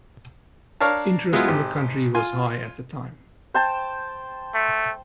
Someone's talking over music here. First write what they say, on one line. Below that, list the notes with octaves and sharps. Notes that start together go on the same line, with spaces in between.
Interest in the country was high at the time.
D4 A#4 C#5 F5 A5
F#3 G#3 B3 E4 F4
G#1 G4
F4 G#5 C6
C5 G5 A5
A3